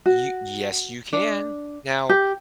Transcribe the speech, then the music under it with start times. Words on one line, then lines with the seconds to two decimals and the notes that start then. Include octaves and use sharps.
You yes, you can. Now
0.06 F#4
1.13 D4
2.09 G4